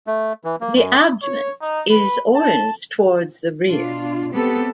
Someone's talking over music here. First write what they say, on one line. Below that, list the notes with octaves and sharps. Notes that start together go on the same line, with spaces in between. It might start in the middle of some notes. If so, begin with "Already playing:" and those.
The abdomen is orange towards the rear.
A3
E3
A#3
F#2
C#5
D#4
B4
A5
B2 D4 F4
G#3 B3 C4 G4 A4